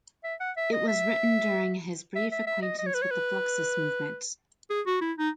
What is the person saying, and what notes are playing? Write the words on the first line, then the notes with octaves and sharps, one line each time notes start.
It was written during his brief acquaintance with the Fluxus movement.
E5
F#5
E5
D#5
E5
E5
E5
E5
D#5
D#5
C#5
B4
C#5
B4
G#4
F#4
E4
D#4